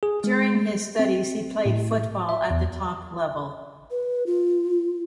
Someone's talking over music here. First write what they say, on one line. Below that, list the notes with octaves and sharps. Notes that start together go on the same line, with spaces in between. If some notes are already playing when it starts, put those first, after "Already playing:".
During his studies he played football at the top level.
G#4
G#3
C4
A2
E5
E2
B4
F4